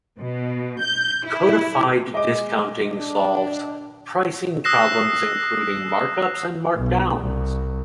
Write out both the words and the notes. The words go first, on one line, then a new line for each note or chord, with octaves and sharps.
Codified discounting solves pricing problems including markups and markdowns.
B2
G6
E4
G#3 D#5 D6
D4
D#6 E6 F#6 A#6 C7 E7
B1
C2